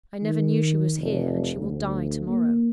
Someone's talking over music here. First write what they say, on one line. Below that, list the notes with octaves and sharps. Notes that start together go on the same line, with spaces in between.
I never knew she was here, and she will die to-morrow.
D#3
F1
D2
A#3